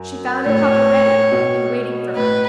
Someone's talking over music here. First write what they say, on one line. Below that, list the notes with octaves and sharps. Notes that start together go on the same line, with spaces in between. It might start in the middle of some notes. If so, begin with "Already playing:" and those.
She found her papa ready, and waiting for her.
Already playing: F#2
A2 C#5
B2
A2 B4